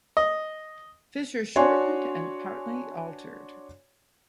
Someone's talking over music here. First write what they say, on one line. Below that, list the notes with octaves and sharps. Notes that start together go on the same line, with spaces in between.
Fischer shortened and partly altered.
D#5
D4 F#4 C#5 D5 G#5 C6